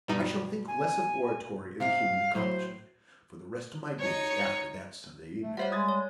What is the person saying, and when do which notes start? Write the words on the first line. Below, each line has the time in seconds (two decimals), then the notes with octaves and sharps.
I shall think less of oratory as a human accomplishment, for the rest of my days, after that Sunday evening.
0.08 G2 B2 G3 D#4
0.68 G#5
1.80 C3 F5
2.35 A2 F#3 C5
4.00 D#4 C#5
5.42 A3
5.57 G3 F4 C5 C#5 E5 F#5
5.72 G3 G#3 D#6 G#6 A6
5.89 C#5